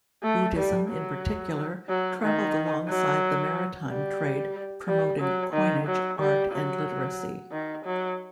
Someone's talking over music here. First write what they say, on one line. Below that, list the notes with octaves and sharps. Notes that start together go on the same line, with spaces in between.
Buddhism, in particular, traveled alongside the maritime trade, promoting coinage, art and literacy.
A3
G3
F#3
F#3
D#3
F#3
G3
G3
F#3
D#3
F#3
G3
F#3
D#3
F#3